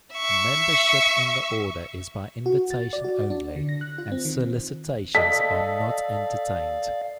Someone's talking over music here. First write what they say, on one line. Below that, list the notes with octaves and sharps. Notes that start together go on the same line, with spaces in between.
Membership in the Order is by invitation only and solicitations are not entertained.
E5 C#6
F#4
A6
D5
F#4
D4
D3
A#6
F#6
F4
C4
D#3
A4 D5 D#5 F5 B6